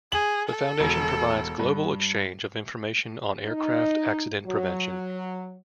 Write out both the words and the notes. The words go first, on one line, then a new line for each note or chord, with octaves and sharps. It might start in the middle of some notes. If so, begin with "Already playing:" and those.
The Foundation provides global exchange of information on aircraft accident prevention.
G#4 F#7
A4
E1
G2
D#4
F#3